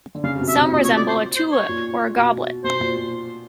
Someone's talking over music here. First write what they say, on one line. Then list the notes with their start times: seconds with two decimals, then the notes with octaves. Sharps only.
Some resemble a tulip or a goblet.
0.15 D3
0.24 C#3 F5
0.36 C3
0.40 B2
0.48 E5
0.56 C3
0.72 A#2 D#5
0.84 C#5
0.96 D5
1.08 C5
1.36 C5
1.52 C#5
1.69 A#2
2.16 B2
2.64 B2 C5
2.80 A#2
2.97 B2